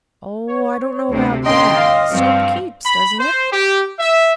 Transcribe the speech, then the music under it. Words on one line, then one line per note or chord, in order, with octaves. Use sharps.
"Oh, I don't know about that; soap keeps, doesn't it?"
C#5
D2 C3
G1 C#4 D#5 G5 C6
F5
G2 F3 C4
B5
C5
G4
E5